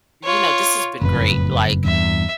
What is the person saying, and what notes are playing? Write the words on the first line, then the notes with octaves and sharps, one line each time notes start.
you know, this has been great, like,
F4 C#5
F#1 F2 A2 B4
E2 G2 E5